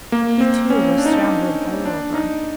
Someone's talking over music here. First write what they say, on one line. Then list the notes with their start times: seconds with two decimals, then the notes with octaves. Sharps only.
He too was trembling all over.
0.12 A#3
0.41 C4
0.70 C#4
0.98 D4
1.06 D#4
1.13 D4
1.86 D4
2.14 D#4